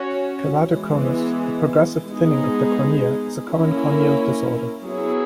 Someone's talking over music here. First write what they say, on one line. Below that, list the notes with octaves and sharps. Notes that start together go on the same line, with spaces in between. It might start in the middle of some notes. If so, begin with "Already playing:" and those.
Keratoconus, a progressive thinning of the cornea, is a common corneal disorder.
Already playing: C#4 F#4 C#5
E3 G#3 B3
G#3 B3 D#4 G#4
A#3 C#4 E4 A#4
F#3 B3 E4 G#4 C#5